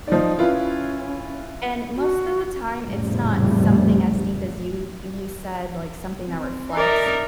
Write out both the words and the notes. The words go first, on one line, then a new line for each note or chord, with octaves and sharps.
and most of the time it's not something as deep as you you said, like, something that reflects.
F3 D#4 D5
C#4 E4 F4 B4
F#4
A1 F2 A#2 C#3 G3 A3
C4
D#4 A#4 D5 E5